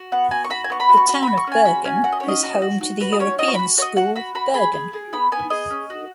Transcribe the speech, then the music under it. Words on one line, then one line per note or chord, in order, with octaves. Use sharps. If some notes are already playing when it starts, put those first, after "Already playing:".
The town of Bergen is home to the European School, Bergen.
Already playing: F#4
B3 F#5
F#4 G#5
C#6
F#4 B5
G#5
B3 C#6
B5
F#4
C#6
F#4 B5
F#4 B5
C#6
C#4 G#5
F#4 B5
C#4 G#5
F#4 F#5
D#5
C#5
C#4
D#5
F#4
F#4
F#4
F#4 B4
D#5
C#4 C#5
F#4 D#5
C#6
F#4 B5
F#4 C#5 D#5
F#4 F#5
F#4 B5
F#4 B5
G#4 B5
G#4
G#4
B3 B5
B3 G#5
G#4 D#5
C#4
F#4